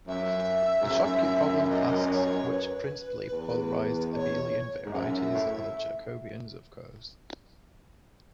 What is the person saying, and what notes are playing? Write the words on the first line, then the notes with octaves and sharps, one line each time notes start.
The Schottky problem asks which principally polarized abelian varieties are the Jacobians of curves.
F#2 E5
G#2
F#2
D#5
C#5
B4
E2
D#5
C#5
G#2
F#2 E5 F#5
A2 E5